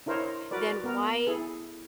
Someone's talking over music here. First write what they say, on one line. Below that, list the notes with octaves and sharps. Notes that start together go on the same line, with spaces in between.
then why
D4 E4 A#4 C5 C#5 D#5
F#4 A#4 B4 D5
B3 A#4
E4 G#4 A4